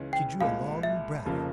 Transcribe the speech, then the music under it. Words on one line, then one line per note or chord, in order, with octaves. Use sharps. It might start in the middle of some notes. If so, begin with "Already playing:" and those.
She drew a long breath.
Already playing: C#2 C#3 E3 G#3 C#4
G5
C2 A#2 G#3 F5
E5
F1 F2 C#3 F3 A#3